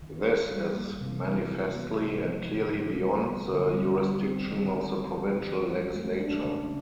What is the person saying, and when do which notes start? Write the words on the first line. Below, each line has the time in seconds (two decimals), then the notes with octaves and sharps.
This is manifestly and clearly beyond the jurisdiction of the provincial legislature.
0.02 D#3
0.27 G#3
0.51 G3
0.77 A#3
1.01 C3
1.26 E3
1.50 F#3
1.75 B3
2.00 C3
2.25 F3
2.49 D3
2.74 F3
2.99 G3
3.23 B3
3.49 D3
3.73 G3
3.98 G3
4.23 C4
4.47 D#3
4.72 G#3
4.97 D#3
5.21 G#3
5.46 E3
5.71 G#3
5.96 A3
6.20 D4
6.45 C#3